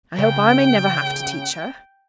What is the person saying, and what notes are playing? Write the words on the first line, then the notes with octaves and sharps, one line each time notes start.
"I hope I may never have to teach her."
C#3 G5